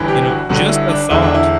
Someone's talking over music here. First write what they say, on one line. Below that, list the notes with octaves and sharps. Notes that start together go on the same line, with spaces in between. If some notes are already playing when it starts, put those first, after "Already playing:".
You know, just a thought."
Already playing: G1 G2 E3
G4
F#4
G1 G2 D3 F#4
E4
D4
E1 E2 D3 E4
D4
E4